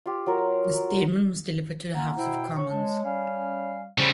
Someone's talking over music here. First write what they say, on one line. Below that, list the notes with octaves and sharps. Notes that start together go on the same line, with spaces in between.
The statement was delivered to the House of Commons.
F4 G4
F#3 F4 A#4
A#3 C#4 F4 F#5 A#5
B2 E4 C5 G5
C#5 C#6
G#3 A5
G3 C#4 F5 G#5
C#3 G3 C5